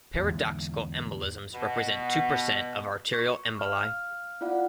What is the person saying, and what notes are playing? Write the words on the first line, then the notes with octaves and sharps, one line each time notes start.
Paradoxical embolisms represent two percent of arterial emboli.
E2 G#2 D3
B2
C#6
F5 F6
E4 F4 D5 F5 F#5